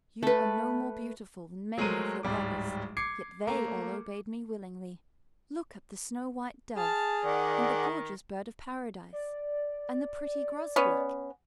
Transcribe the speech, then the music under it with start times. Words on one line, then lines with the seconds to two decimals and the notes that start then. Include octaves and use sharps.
You are no more beautiful than many of your brothers, yet they all obeyed me willingly. Look at the snow-white Dove, and the gorgeous Bird of Paradise, and the pretty Grosbeak.
0.23 A3 B4
1.78 F#3 G#3 A3 A#4 C5 D#7
2.23 D1 G#2 G3 D6
2.97 D6 G#6 C7 C#7
3.47 A3 A#3 A#5
6.76 G#4 A5 F6
7.25 D#3 D5 F#5
9.13 D5
10.76 B3 C#4